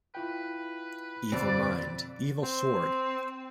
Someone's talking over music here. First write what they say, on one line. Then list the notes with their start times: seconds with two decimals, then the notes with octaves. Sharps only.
Evil mind, evil sword.
0.15 E4 F4 B4 G5
1.32 F2 B2 D3 C4 C5 D5
2.43 C4